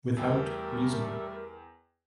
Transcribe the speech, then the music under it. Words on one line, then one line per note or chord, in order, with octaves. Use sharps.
Without reason.
E2 G3 A3 A#4 G5